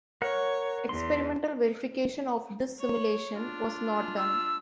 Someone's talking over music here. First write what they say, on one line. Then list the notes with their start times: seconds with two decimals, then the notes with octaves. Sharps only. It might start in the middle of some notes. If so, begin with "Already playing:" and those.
Experimental verification of this simulation was not done.
0.22 A#4 C#5 F#5
0.89 E2 C6
2.79 C#5
3.35 D4 F4
4.17 E6